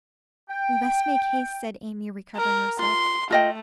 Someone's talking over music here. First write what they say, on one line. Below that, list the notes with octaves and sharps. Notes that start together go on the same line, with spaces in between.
'We must make haste,' said Amy, recovering herself.
G5
A#4
F4 C6
A3 F4 D#5 G5